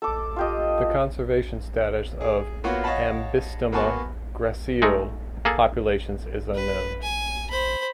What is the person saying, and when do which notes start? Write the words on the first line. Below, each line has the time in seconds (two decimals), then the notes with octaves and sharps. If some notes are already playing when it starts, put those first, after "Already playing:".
The conservation status of "Ambystoma gracile" populations is unknown.
0.02 A4 D6
0.36 F4 G4 D#5
2.21 G#4
2.64 A#3 B3 F4 F#4 C#5 F#5
2.84 C#5 D#5 F5 F#5 A5 B5
3.72 A#3 B3 F#4 G#5 A5 C#6
4.82 G#3 A3 D#4
5.45 A#3 G#4 A4
6.55 B4
7.03 G#5
7.51 C5 B5